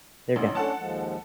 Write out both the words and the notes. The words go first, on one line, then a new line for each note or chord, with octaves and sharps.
They're done,
A1 F#2 D#4
C#4 D4 A4 C#5 F#5 A5
D#2 F3 G#3